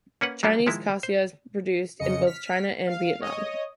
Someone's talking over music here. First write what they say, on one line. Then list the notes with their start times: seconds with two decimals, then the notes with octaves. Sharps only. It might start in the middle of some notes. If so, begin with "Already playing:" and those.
Chinese cassia is produced in both China and Vietnam.
0.21 A#3 C#4 B4 F#5
0.43 F#3 G3 A#3 D4 F#4 G4
0.67 D#3 F3 G#3 E4
1.03 C5
1.99 F2 C#3 D#5 C#7
2.25 F6 B6
2.87 F5
3.21 C#5 D#5 D#6